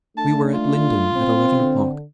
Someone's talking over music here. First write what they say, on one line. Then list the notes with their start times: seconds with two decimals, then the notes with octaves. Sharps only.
We were at Lyndon at eleven o'clock.
0.17 A3 D4 A5
0.53 F4
1.17 C4
1.57 D3